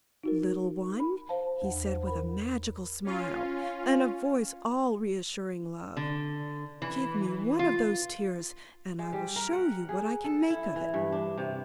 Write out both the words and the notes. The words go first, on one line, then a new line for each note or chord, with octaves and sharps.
"Little one," he said, with a magical smile, and a voice all reassuring love, "give me one of those tears, and I will show you what I can make of it."
D#4 F#4 A#4
B5
C5 F5 A5
E2 F#5
C5
A#4 B5
C#4 F4
D3
E3
F4
G#3
G3
A#4
F#5
G#4
A4
E4
E3
G2
D4
C3